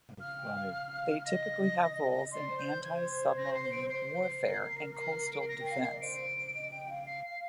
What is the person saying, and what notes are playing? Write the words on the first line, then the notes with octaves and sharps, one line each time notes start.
They typically have roles in anti-submarine warfare and coastal defence.
F5 F6
G5
F5
D#5 A#6
D5 C6
C5
D5 G6
C5
C5 G#6
A#6
C7
D7
C7
A#4
C7
D7
C7
A#6
G5
F5 C7
D#5 C7
D5
C5 D7
D#5
G5
F5
C7
C7